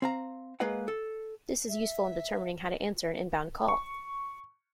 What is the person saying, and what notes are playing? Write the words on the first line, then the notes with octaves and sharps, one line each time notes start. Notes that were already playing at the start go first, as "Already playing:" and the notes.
This is useful in determining how to answer an inbound call.
C4 F5 A#5
G#3 A#3 B4 D#5 F5 F#5
A4
E5
C#6